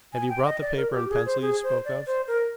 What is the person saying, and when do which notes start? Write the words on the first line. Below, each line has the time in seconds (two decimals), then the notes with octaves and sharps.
Have you brought the paper and pencil you spoke of?
0.13 G#5
0.29 G5
0.45 D#5
0.61 D5
0.77 A#4
0.94 G4
1.10 G#4
1.26 C5
1.42 G#4
1.63 C5
1.85 D5
2.07 C5
2.28 A#4